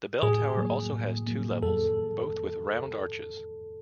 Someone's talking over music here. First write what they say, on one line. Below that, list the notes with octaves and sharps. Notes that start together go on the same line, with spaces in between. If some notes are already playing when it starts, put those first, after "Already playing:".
The bell tower also has two levels, both with round arches.
A2 G#4
F#3 A#3
A2
F#3 A#3
F2 A4